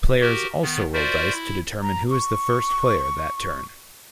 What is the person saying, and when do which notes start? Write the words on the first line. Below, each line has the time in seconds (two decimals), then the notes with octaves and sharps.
Players also roll dice to determine who is the First Player that turn.
0.21 F#4 G4 A#4
0.62 D#3 B3
0.94 F4 F#4 A#4 C5 D5 E5
1.33 E4
1.82 A#5
2.10 C#6